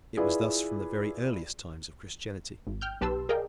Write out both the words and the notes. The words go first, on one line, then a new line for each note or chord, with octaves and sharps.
It was thus from the very earliest times of Christianity.
E4 F4 G#4 B4 D5
G#1
G5 F6 G6
B1 G4 B4 A5 C6 E6
G#4 A#4 D5 D#5 F5 G5